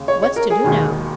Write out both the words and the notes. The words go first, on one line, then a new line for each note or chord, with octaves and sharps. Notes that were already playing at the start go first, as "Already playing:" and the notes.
"What's to do now?"
Already playing: D#2 C#3 C#4
C#5
C#5
A#4
G#4
E1 D#2 D#3 G#3